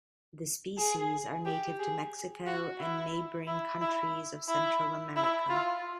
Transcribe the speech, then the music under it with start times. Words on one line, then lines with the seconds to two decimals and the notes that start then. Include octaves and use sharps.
The species are native to Mexico and neighboring countries of Central America.
0.78 G#4
1.45 G4
1.79 G#4
2.47 F#4
2.80 E4
3.47 E4
3.81 E4
4.49 E4
5.16 E4
5.49 F4